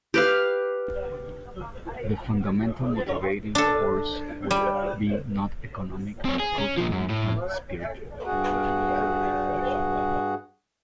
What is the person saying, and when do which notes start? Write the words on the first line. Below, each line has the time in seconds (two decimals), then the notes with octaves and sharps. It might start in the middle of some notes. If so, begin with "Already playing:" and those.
The fundamental motivating force would be not economic but cultural and spiritual.
0.14 G4 B4 F5
3.55 D4 A4
4.51 G3
6.25 C4 C#5
6.40 G#4
6.58 C#4
6.78 A#2 F3
6.92 F#2
7.10 A2
8.25 G2 F#4 G#4 F#5